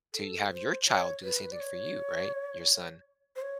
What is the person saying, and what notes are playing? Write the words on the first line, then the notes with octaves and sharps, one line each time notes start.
to y have your child do the same thing for you, right? Your son
A4
C5
C#5
B4
D5
C#5
C5
C#5